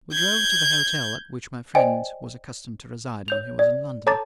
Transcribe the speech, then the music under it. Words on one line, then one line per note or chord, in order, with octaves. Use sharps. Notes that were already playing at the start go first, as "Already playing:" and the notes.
We drove to the hotel at which my friend was accustomed to reside when he was in London.
G6 G#6
C5 D5 D#5 G5 G#5
C#5 G6 F7
D5
A4 C#5 A5 A#5 D6 A6